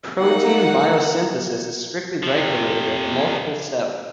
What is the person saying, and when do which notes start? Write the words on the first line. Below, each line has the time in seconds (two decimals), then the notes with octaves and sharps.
Protein biosynthesis is strictly regulated at multiple steps.
0.18 A#3 D#4 F#5
2.23 C3 F3